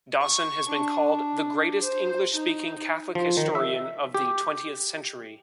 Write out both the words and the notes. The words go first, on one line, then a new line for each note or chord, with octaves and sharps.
Dawson has been called "the greatest English-speaking Catholic historian of the twentieth century".
C#6
D4
C5
D#4
F3
D#3
E5
G4